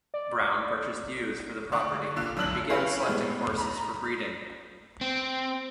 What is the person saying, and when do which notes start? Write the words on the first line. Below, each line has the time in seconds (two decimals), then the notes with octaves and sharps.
Brown purchased ewes for the property, and began selecting horses for breeding.
0.14 D5
1.72 D3 D5 C#6
2.16 A#2 D3
2.37 B1 F#2 D4 E6 F#6 F#7
2.70 E4 G4 G#4 B4 C#5 F5
3.08 A2 G#3 B3
3.58 A#5 B5
5.01 C4